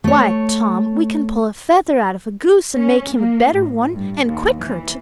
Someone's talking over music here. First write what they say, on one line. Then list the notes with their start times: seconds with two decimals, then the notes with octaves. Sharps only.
"Why, Tom, we can pull a feather out of a goose and make him a better one; and quicker, too."
0.04 A3 C#5
2.77 C#4
3.15 A#3
3.55 A2
3.93 G2
4.24 D#2
4.59 E3